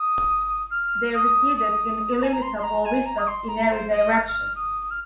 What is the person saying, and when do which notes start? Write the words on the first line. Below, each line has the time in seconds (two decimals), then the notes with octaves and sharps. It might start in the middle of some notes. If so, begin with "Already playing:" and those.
They receded in illimitable vistas in every direction.
Already playing: D#6
0.70 F6
1.14 D#6
1.56 D#6
2.22 G#5
2.33 A#5
2.42 C6
2.58 C6
2.63 A#5
2.85 G#5
3.05 A#5
3.18 D#6
3.27 C6
3.48 A#5
3.71 C5
3.91 D#5
4.13 F6
4.28 F6
4.55 D#6
4.90 F6